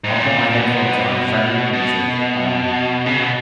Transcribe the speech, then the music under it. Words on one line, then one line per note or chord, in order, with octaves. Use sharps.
I'll put my headphones on, 'cause I make music, um,
G#2
A#2
A#2
B2
B2
C#3
B2